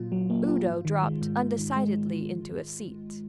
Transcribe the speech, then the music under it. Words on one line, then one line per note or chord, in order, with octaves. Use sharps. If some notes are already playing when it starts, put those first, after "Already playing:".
Udo dropped undecidedly into a seat.
Already playing: A#2 F#3 F4
F#3
A#3
F4
G#2
D#3
G#3
G#2
G#2
D#3
G#3